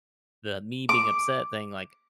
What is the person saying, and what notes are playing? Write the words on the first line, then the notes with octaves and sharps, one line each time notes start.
the me-being-upset thing, like,
D6